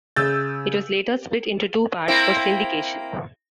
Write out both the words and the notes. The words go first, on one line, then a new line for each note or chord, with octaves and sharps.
It was later split into two parts for syndication.
C#3 E6 G6 A6
A#3 C4 E4